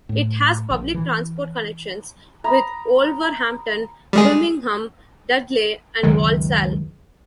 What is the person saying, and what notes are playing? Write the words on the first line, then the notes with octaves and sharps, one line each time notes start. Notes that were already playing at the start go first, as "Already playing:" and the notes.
It has public transport connections with Wolverhampton, Birmingham, Dudley and Walsall.
A2
A#1
E3
A#5 B5 D#6
G3 G#3 G#4
C#2 F#2 D#3 G#3